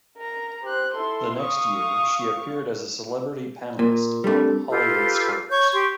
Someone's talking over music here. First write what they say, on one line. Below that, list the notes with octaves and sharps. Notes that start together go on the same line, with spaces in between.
The next year, she appeared as a celebrity panelist on "Hollywood Squares".
A#4 A#5
G4 C5 F#6
E4 A4 C6
F5 C#6 D#6
A#2 A#4
G3 A3 C4 D4 A4
F4 G4 A4 B4
C#5 C#6 G6
G4 C6 C#6